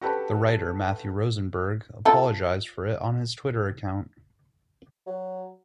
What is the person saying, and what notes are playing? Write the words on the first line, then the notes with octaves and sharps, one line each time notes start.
The writer Matthew Rosenberg apologized for it on his Twitter account.
F#4 G4 A4 B4 A5
F4 A4
F#3